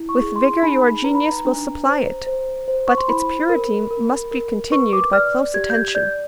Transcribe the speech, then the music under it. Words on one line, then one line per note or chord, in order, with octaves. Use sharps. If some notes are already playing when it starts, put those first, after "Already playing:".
With vigour your genius will supply it; but its purity must be continued by close attention.
Already playing: E4
C#6
G#4
C6
D#4 B5
B4 A#5
B5
A#5
D4
C5
C5
C5
C#6
C6
E4 B5
A#4
A#4
A#4
B4 C#6
D6
D5 F6
G4 G#6
G6
G#6
G#6
D5 G6